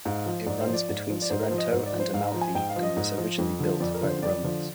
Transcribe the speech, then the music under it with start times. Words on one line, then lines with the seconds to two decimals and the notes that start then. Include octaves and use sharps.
It runs between Sorrento and Amalfi and was originally built by the Romans.
0.05 G#2 F5
0.26 F3
0.47 G#2 D5
0.61 C5
0.68 F3
0.73 D5
0.89 G#2
1.10 F3
1.22 D5
1.30 G#2 C5
1.39 A#4
1.44 C5
1.51 F3
1.58 D#5
1.72 G#2 C5
1.86 D5
1.93 F3
2.00 C5
2.14 G#2 F5
2.28 A#5
2.34 F3
2.41 G#5
2.55 G#2 G5
2.69 F5
2.76 F3
2.83 D#5
2.97 G#2
3.18 F3
3.38 F2
3.60 D3 F3
3.80 F2 D5
3.94 A#4
4.01 D3 F3
4.09 C5
4.22 F2 D5
4.43 D3 F3